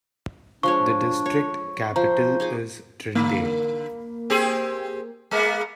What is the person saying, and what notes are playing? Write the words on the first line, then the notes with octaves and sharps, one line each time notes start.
The district capital is Trindade.
F3 G#3 D4 C#5 C#6
C#5
F3 C5 A#5
D#4 G#4 D6
D3 A#3
C4 G4 G#4
G#3 A#3 B3